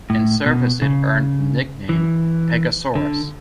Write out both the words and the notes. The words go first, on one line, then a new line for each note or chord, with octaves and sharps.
In service it earned the nickname 'Pegasorous'.
A2
B2
C#3
E3
D3